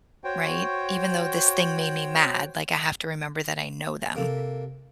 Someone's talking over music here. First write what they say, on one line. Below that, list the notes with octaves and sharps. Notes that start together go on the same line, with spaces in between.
right? Even though this thing made me mad, like, I have to remember that I know them.“
F#4 C5 C#5 G5
C3 A#3 A4